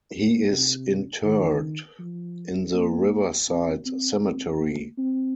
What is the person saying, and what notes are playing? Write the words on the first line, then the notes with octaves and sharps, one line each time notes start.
He is interred in the Riverside Cemetery.
C3
D#3
F3
A#3
C4
C4
C4
A#3
C4